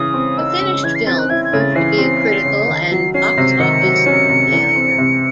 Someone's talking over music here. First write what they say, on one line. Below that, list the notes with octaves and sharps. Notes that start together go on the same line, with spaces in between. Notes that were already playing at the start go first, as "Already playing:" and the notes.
The finished film proved to be a critical and box office failure.
Already playing: C#3 E3 D#6
C4
D#4 E6
C#3
E3 G#6
C7
C4 A6
F#6
E4 G#6
G#6
C#3
A6
E3 C7
C4
E4
C#3
D#3
F#3
C#4 C7
C3
D#3 C#7
F#3
C#4
C3
E3
C4
C3